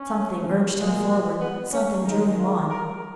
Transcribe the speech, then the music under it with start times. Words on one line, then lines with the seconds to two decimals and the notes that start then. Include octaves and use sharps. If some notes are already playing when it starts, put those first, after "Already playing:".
Something urged him forward; something drew him on.
Already playing: C#4
0.75 A#2 G#3
1.39 B3
1.71 C#4
2.04 D#3 G#3 D#4
2.36 F4
2.69 A#4